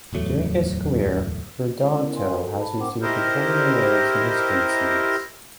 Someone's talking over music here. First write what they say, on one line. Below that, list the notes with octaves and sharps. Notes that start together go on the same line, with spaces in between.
During his career Hurtado has received important awards and distinctions.
D1 E2 F#3 A3
G#3 C#4 F4
B3 E4 A#4
F#4 A#4 F5 G5 G#5 C6
F#4 A4
A5 B5
C4 A#4 C5 F#5 G5 D6
E4 G4 A#4 C5 D#5